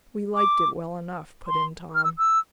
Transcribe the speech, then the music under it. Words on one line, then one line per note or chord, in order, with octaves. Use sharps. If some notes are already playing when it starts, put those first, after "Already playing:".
"We liked it well enough," put in Tom.
D6
C6
F6
E6
E6